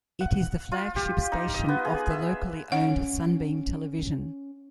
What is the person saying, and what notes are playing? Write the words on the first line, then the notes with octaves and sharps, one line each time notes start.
It is the flagship station of locally owned Sunbeam Television.
F#5
F4
G4
D#4
D#5
B3
G#4
E5
C#4 F#5